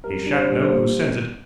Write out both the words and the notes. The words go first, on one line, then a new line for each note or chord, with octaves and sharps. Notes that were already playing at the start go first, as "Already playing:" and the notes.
'He shan't know who sends it.
G3 A#4
D4
C5
G3
C5
A#3